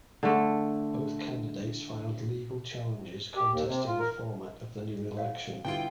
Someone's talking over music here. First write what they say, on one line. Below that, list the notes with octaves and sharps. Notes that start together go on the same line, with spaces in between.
Both candidates filed legal challenges contesting the format of the new election.
D3 A3
G4
D#2
C3
F4
A#4
C#5 F5 F#5
D3 G3 B3 E4 F4 G5